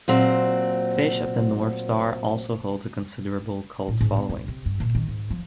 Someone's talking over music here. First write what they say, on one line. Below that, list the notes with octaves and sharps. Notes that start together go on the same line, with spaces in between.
"Fist of the North Star" also holds a considerable cult following.
A#2 F#3 C4
A2
G#2
B3
C#2
C3
G2
A#2
D#3
G#2
F3